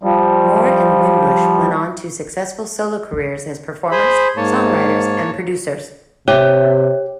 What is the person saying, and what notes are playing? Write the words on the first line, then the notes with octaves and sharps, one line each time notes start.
Moore and Winbush went on to successful solo careers as performers, songwriters, and producers.
F3 G3
G#4 C5 B5
G#2 A#3 C#5 A5
C3 G4 C#5 E5